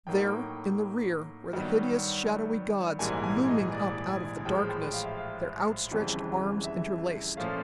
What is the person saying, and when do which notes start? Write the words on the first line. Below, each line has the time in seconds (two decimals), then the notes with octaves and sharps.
There, in the rear, were the hideous, shadowy gods, looming up out of the darkness, their outstretched arms interlaced.
0.07 A2 F#3 A#3 D#4 G5
1.53 G2 D#3 F#3 B3
2.99 A#1 G#2 E3 G3 A#3 G#5
3.24 G#5
3.48 D#5
3.73 D5
4.09 G#5
4.45 A1 A2 F3 G#3 G5
4.69 G5
4.94 F5
5.05 E5
5.17 F5
5.91 G1 F2 C#3 E3 G3
6.64 E5
7.37 A#2 F3 A3 C#4 F5